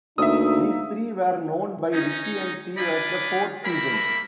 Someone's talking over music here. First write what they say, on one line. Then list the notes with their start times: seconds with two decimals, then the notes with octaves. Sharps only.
These three were known by Ricky and Steve as "The Fourth Season".
0.18 D2 A#3 D#4 E5 D#6
1.93 C#4 D#4
2.78 D4 D#4 D5 F5 G#5 B5
3.64 G3 A#3 A#4 E5 B5